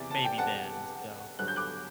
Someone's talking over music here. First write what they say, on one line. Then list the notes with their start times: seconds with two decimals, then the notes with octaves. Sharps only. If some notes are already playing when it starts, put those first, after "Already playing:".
Maybe then, so
Already playing: E2 C3 E3 D5
0.11 A5
0.24 G5
0.38 F#5 A5
1.39 G2 D3 F#3 F#6
1.48 G6
1.56 D6 F#6